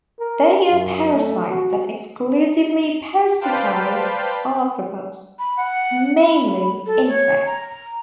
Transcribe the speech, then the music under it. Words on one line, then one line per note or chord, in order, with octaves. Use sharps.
They are parasites that exclusively parasitise arthropods, mainly insects.
A#4
F#2
A3
F#4
B4 C5 D5 F5 G5 A5
B5
F#5
B5
A4
C#5
A#5